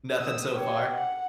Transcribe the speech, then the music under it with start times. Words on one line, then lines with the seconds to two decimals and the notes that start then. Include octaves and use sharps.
Nothing so far?
0.16 D#6 E6
0.55 G4 C#5
0.93 F#5